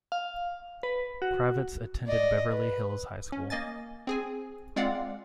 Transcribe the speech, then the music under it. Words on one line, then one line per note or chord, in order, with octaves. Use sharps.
Kravitz attended Beverly Hills High School.
F5
B4
F#4
D5 D#5
B4
C#4
A#3 D#5 G#5 A6
C4 G#4 G#5
G#3 C4 F4 D5 F5 F#5